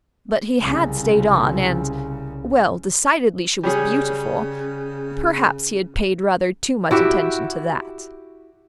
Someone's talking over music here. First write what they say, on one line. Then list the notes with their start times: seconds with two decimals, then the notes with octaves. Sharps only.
But he had stayed on, and--well, decidedly she was beautiful--perhaps he had paid rather too much attention to that.
0.60 C2 C#3
3.63 C#3 G3 C#4 G#4
6.91 E4 F#4 G4 E5